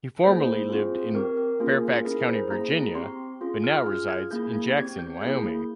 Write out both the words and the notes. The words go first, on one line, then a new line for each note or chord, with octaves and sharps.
He formerly lived in Fairfax County, Virginia but now resides in Jackson, Wyoming.
A#3 E4 G#4 C5
C4 F4 G#4
C4 G4 A#4
A#4
A#3 C#4 F4 G#4
C#4 E4 G#4 A#4
C5
A#3 E4 G#4 A#5
C4 G4 C6
C#4 F4 G#4
F6
C#4 F4 G#4 F6
G#6
A#3 E4 G#4 G6
C4 G4 G#6
G6
A#3 E4 G#4 G6